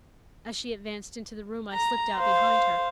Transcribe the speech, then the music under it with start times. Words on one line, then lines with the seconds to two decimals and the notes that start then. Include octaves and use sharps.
As she advanced into the room, I slipped out behind her.
1.73 A#5
2.16 C5 F5